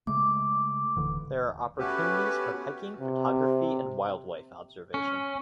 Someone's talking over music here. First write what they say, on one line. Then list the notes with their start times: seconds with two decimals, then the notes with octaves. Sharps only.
There are opportunities for hiking, photography, and wildlife observation.
0.07 C#3 G#3 A3 D6
0.97 D1 D3 E3
1.78 A3 B3 C#4 F#4 G4 B4
3.01 C3
4.94 C#4